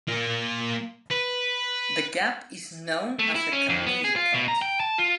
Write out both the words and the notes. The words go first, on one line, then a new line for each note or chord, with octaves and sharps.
The gap is known as the Camille Cut.
A#3 F4
B4
A3
E4
C#4
F2
B3
G#4
F4
B2
A#5
G5
A5
F4